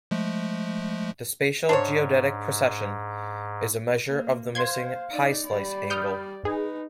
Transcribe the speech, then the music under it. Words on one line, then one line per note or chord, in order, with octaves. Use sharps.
The spatial geodetic precession is a measure of the missing "pie-slice" angle.
F3 G#3 A3
G#2 D4 C5 C#5
A#3
C5 F5 C6 G#6
D#4 D5
G3 D5 B5
D#6 F6 G6
D#4 G#4 B4